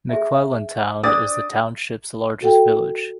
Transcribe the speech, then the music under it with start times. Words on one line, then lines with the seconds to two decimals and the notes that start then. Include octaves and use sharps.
McClellandtown is the township's largest village.
0.09 G#4 E5
1.03 D4 C5 D5 D6 D#6 A6
2.41 F#4 A4 F#5 G5